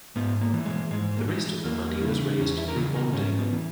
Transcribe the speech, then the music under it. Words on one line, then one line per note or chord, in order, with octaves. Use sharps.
The rest of the money was raised through bonding.
G#2 B3
A#3
E3
G#3
G#2 G#3
A#3
E3 G#3
E2 A#3
C#3 E3
E2 C#4
E4
A#4
C#3 E3 G#4
A#4
G#2 C#4
B3
E3